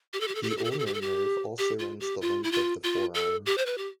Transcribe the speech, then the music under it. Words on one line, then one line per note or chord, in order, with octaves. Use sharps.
The ulnar nerve also runs the length of the forearm.
G4
A4
G4
A4
G4
A4
G4
A4
G4
A4
G4
A4
G4
G4
F4
G4
F4
E4
F4
F4
A4
G4
C5
B4
G4